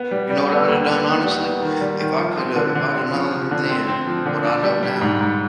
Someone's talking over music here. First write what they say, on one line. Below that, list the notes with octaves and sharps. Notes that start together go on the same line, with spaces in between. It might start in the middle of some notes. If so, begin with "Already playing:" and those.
You know what I would've done, honestly? If I coulda if I'd have known then what I know now,
Already playing: B3
G3
G3
B3
D#2
B3
B3
G3
B3
D#3
G3
D#3
F3
C4
D3
D3
C4
F3
F3
D3
C4
C4
F3
D3
D4
G3
G3
G#2
G#2